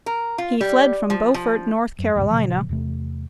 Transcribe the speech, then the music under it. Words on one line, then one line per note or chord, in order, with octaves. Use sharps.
He fled from Beaufort, North Carolina.
A#4
F4
G3
F3
F3
F#2
F#1 D#2 G#2 C3
A#2 C#3 F3
E2 C3 A3